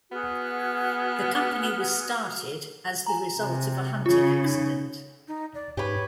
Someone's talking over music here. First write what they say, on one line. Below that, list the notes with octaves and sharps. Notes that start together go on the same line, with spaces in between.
The company was started as the result of a hunting accident.
B3 F#4 G#4 F6
G#5 A#5
C3
C#3 F4
D#4
D#4
D5
G#2 G4 B4 C#5